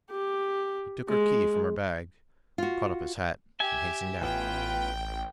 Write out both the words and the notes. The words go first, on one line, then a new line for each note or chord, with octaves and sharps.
He took her key from her bag, caught up his hat, and hastened out.
G4
G#3
F4 F#4
G4 E5 G#5
A1 B3 F4 B4 G5